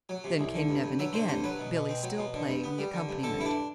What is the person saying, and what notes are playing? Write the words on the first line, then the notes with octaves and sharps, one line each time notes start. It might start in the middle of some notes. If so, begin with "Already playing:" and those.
Then came Nevin again, Billy still playing the accompaniment.
F#3
C3
C2
D3
G2
G2
F#3 E5
D3 C5
G2 C5
F#3 B4
B2
B2
C4
F#3
B2
D3
G2
B3
G3
D3
G2
D3 A4
G2 E4
D4